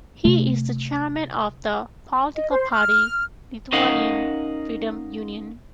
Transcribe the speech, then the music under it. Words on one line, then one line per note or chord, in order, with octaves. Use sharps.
He is the Chairman of the political party Lithuanian Freedom Union.
C3 A3
D#5
C5
F6
C#4 D#4 A#4 D#5 F5 F#5